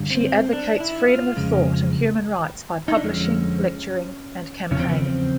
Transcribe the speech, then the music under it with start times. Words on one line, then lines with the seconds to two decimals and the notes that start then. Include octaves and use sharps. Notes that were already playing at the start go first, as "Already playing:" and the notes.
She advocates freedom of thought and human rights by publishing, lecturing, and campaigning.
Already playing: G2 D3 G3
0.10 C4
0.53 D4
0.80 E4
1.08 F4
1.37 F2 C#3 F3 G#3
2.88 D#4
2.97 D4
3.04 F2 D3 F3 G#3 C#4
4.71 E2 C#3 F3 C#4
4.80 C4
4.89 B3
4.97 C4